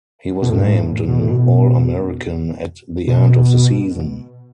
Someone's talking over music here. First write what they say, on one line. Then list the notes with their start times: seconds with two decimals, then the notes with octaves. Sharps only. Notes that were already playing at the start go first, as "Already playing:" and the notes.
He was named an All-American at the end of the season.
0.42 B2
0.50 A2
0.58 G2
0.66 A2
1.08 B2
1.19 A2
1.30 B2
3.07 B2